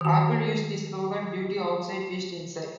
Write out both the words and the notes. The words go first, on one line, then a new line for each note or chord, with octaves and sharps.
Apple used the slogan Beauty outside, Beast inside.
D#3 F#4